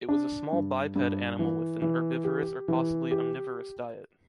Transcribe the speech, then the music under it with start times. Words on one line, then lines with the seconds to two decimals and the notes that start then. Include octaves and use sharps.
It was a small biped animal with a herbivorous or possibly omnivorous diet.
0.09 D4
0.53 G2
0.96 G2
1.39 E3
1.82 E3
2.24 G4
2.68 E3
3.11 G4